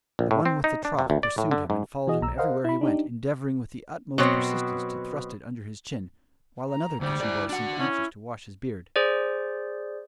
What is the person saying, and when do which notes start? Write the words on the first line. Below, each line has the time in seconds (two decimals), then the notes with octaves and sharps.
The one with the trough pursued him and followed him everywhere he went, endeavouring with the utmost persistence to thrust it under his chin, while another kitchen-boy seemed anxious to wash his beard.
0.19 A#1
0.31 A2
0.45 C4
0.64 D#4
0.85 D4
0.99 C3
1.10 D2
1.23 D5
1.38 A2
1.51 D3
1.70 G#2
2.07 E3 F#4 G#4 D#5
2.21 B1 A#5 E6
2.38 A#4 C5 D#5 F5 F#5
2.64 E4 B5
2.81 D4 D#4 G4
4.18 B2 F#3 C4
6.68 A#5
7.01 D2 D3 G3 C5
7.21 E4 D5
7.49 D4 F#4 F#5
7.79 C#4 E4
8.96 G#4 C5 D5